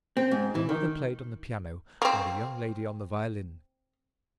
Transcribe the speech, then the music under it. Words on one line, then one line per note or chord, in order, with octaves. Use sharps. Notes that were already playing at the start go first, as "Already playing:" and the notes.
Her mother played on the piano and the young lady on the violin.
C4
G#2
E3
D#3
A#3 C4